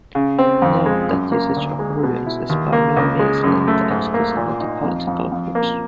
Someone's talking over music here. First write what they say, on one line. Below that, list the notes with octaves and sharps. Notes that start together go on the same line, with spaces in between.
Note that usage of runes is by no means linked exclusively to political groups.
C#3
C4
F2
G#3
F#2
A#3
D2
G#3
B2
E4
D#2
A#3
C#2
G#3
F#2
A3
G#2
A#3
A#2
D#4
F2
F2
F2
A#3